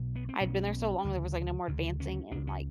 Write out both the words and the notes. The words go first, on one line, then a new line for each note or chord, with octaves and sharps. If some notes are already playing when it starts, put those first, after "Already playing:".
I'd been there so long there was, like, no more advancing and, like,
Already playing: B1 B2
B3
C4
B1 B2 C#4
D2 C#3
D2 C#3
C#4
C#2 C#3 D4
C#4